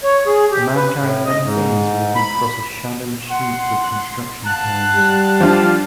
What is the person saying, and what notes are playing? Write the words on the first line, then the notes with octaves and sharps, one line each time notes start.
A man carrying many things walking across a shadowy street with construction cones.
C#5
G#4
G4
B4
A2
D#5
G#2
B5
F#5 C6
F5 F#5 A5 F#6
G3
F3 D4 F4